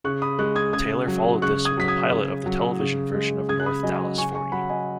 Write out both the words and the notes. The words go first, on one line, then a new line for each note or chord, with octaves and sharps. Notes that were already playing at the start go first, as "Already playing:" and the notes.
Taylor followed this with the pilot of the television version of "North Dallas Forty".
C#3 C#6 F#6
B5 D#6
G#3 C#6 F#6
D#6 G#6
C#3 D#6 G#6
F#3
C#3 C#6 F#6
D#6 G#6
F#3 B6
D#6 G#6
C#3
F#3
C#3
G#3
C#3 D#6 G#6
F#6
B5 D#6
F#3 D#5 G#5
C#3 G#5 C#6
G#5 C#6
F#3 F#5 B5
D#5 G#5